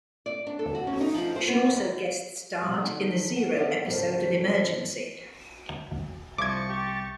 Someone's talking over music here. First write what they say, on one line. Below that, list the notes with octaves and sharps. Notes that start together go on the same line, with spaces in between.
She also guest-starred in the "Zero" episode of "Emergency!".
D5
D4
A4
F#4
C#4
D#4
F3
C5
B3
D#2
B2 G3
D3 D#4
E2 F#5
B3 G#4 A4 C5 D5 E5
D2 G#2 C#3 A4 A#4 C5
C2 F3 E5 C#6 D6 G#6 A6
G4